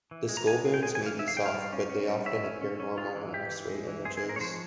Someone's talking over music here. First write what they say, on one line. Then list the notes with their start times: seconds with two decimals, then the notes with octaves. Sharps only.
The skull bones may be soft, but they often appear normal on X-ray images.
0.11 E3
0.29 G#3
0.37 A#5
0.47 G#3 G#5
0.65 C4
0.74 G5
0.83 G#3 G#5
0.95 G#5
1.01 E3
1.06 F5
1.19 E3 E5
1.28 F5
1.36 G#3 G5
1.46 F5
1.54 G3
1.73 C#4
1.90 C#4
2.08 G3
2.26 C#4 E5
2.44 C#4
2.61 C#4
2.80 C#4
2.98 G#3 F4
3.15 E3
3.33 G#3 G4
3.51 E3
3.69 G#3
3.88 E3
4.05 C4 G#4
4.17 G#4
4.23 G#3
4.29 A#4
4.36 C#5
4.41 F3 C5